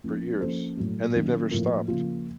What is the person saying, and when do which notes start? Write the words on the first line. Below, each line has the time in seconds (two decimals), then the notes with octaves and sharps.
for years, and they've never stopped.
0.04 F3 A#3 C#4
0.41 F3 A#3 C#4 A4 C5
0.77 A2 F#3 A3
1.15 D#3 F#3 A#3 C#4
1.51 A2 F3 A#3 F4 A#4
1.88 C#3 F3 A#3 F4